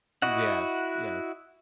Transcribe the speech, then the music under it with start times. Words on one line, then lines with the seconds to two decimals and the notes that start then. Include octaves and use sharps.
Yes, yes.
0.22 E4 F#4 D#5 F#5